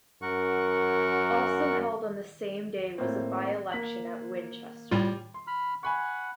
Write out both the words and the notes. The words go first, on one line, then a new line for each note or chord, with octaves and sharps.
Also held on the same day was a by-election at Winchester.
F#2 A#4 F#5 C#6
A2 A#3 C4
A#3 B6 F#7
A2 G3 F4 G4 G#6 F7
C6
B5 F6
F#5 G#5 B5 C#6